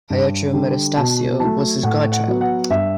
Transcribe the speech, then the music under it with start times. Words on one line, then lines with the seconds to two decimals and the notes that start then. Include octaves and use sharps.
Pietro Metastasio was his godchild.
0.10 G2
0.53 D3 G3
0.97 B2 A5
1.40 F#3 A3 A5
1.83 A2 F#5
2.12 F#5
2.27 F#3 B3
2.41 F#5
2.70 G2 E5